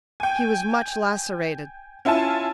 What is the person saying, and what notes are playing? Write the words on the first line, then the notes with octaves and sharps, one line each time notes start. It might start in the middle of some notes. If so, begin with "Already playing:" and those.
He was much lacerated.
G5 G#5
C#4 E4 F4 G#5 A5